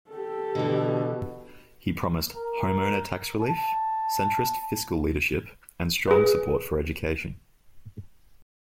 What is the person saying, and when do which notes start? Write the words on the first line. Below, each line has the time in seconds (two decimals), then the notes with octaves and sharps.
He promised homeowner tax relief, centrist fiscal leadership, and strong support for education.
0.11 G4 A4
0.55 B2 D3 E3
2.36 A#4
3.41 A5
6.08 G#4 B4